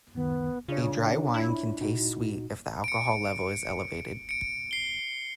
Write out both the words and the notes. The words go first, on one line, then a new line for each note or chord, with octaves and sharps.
A dry wine can taste sweet if the alcohol level is elevated.
C#2 F#2 D#3 B3
C#3 D4 F4 C#5
E4
A#2 D#4 F#4
C#7 D7
C#7 D7
C7 G7